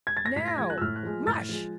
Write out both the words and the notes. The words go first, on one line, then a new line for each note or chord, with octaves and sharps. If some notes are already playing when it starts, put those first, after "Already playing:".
"Now, MUSH!"
G#6
A6
A#6
A2 B6
A#6
F3 G#3 G#6
F#6
E6
A2 F6
F#6
F3 G#3
A2 A6
F3 G#3